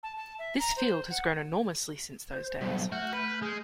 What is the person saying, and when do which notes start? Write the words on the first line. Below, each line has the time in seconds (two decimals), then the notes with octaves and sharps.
This field has grown enormously since those days.
0.03 A5
0.17 A5
0.39 E5
0.59 A#5
0.77 C5
1.10 F#5
2.33 C5
2.62 B1 G2
2.92 A3 F#4 F6 G6
3.13 B4
3.42 G#3